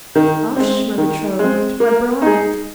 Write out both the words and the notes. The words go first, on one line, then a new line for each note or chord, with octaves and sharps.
'Hush, my betrothed! my bride!
D#3
G#3 C4
D#3
G#3 C4
A#3
D#4 G#4